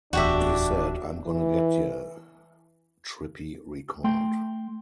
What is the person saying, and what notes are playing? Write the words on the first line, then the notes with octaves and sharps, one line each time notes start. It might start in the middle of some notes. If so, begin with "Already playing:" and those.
"He said, 'I'm gonna get ya,'" Trippi recalled.
D1 E2 D4 F#4 G4 E5
E3
A3 G5 C6